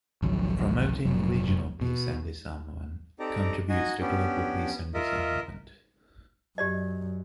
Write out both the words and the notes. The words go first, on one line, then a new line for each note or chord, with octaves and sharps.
Promoting regional peace and disarmament contributes to global peace and disarmament.
G#1 C#2 F3 F#3
F1 F#3
B2
C4 D#4 G4 A4 D5 A#5
D#4 F#4 D#5 G#5
B3 C#4 D4 G4
F4 A#4 D#5 E5
F#2 G4 D5 D#5